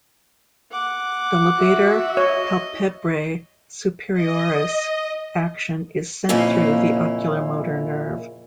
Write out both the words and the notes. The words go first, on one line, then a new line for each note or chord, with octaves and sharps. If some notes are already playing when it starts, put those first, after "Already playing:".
The levator palpebrae superioris' action is sent through the oculomotor nerve.
F#5 D6
F#4 E5
C#5 D#5
D#5
F2 A#2 C#3 A#3 C#4 E4